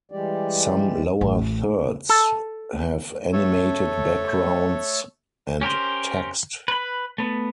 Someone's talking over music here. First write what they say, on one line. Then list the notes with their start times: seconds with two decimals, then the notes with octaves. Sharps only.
Some lower thirds have animated backgrounds and text.
0.12 E3 G3 G#3 G4 D5
1.21 A1
2.09 A4
3.33 A3 A4 C#5
5.61 C#4 G4 A#4 C5
6.68 B4 B5
7.18 A3 B3